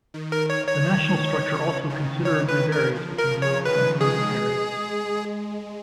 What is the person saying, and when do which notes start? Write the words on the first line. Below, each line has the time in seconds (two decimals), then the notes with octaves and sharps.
The national structure also considerably varies between rural and urban areas.
0.14 D#3
0.32 A#4
0.50 C#5
0.67 C#5
0.84 D#3
1.54 C#3
1.90 D#3
2.25 D#3 C#5
2.49 B4
2.72 A#4
2.95 F3
3.18 A#4
3.31 C#3
3.42 C#5
3.65 D#3 B4
4.01 G#3 G#4
4.36 G#3